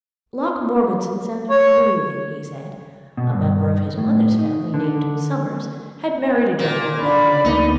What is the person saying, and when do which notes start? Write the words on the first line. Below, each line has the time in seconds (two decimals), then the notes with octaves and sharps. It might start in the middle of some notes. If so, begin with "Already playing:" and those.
Locke Morgeson sounded familiarly, he said; a member of his mother's family named Somers had married a gentleman of that name.
1.51 C#5
3.17 B2
3.34 G2
3.97 A2
4.39 D#4
4.74 D3
6.59 A#2 A#3
7.03 D4 D5 B5
7.45 D2 A#3 B3 D#4